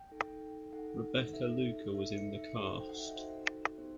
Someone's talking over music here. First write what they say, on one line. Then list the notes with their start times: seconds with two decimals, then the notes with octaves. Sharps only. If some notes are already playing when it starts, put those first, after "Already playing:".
Rebecca Luker was in the cast.
Already playing: G5
0.11 D#4 A4
0.73 D#4 A4 F#5
1.33 D#4 A4 E5
1.95 D#4 A4 E5
2.36 E5
2.56 D#4 F#4 A4 C5
2.80 G5
2.89 F#5
2.99 E5
3.07 D#5
3.16 D#4 F#4 A4 C5
3.78 B3 D#4 G4 C5